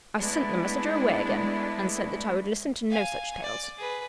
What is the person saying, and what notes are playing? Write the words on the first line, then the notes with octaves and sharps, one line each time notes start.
I sent the messenger away again, and said that I would listen to no such tales.
G#3 A3 B3 D4 E4
F5 G#5
D5
G#4 B4